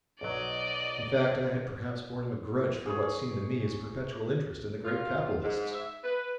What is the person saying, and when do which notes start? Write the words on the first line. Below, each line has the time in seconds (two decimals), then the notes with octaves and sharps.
In fact, I had perhaps borne him a grudge for what seemed to me his perpetual interest in the great capitalists.
0.21 B1 F#3 D5 D#5
2.86 G#4 C#5
4.84 F4
5.43 G#2
5.74 E5
6.04 B4